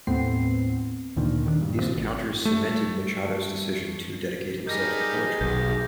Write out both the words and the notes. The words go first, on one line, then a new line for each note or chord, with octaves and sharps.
These encounters cemented Machado's decision to dedicate himself to poetry.
D#2 A2 B3 C4 C7
D2 A#2 D3 D#3
D#2 D#3 F#3 D4
D2 G2
C4
A1
G3 A3
G3 D#4 G4 G#4 A#4 G6 A#6
B1 D#3 G6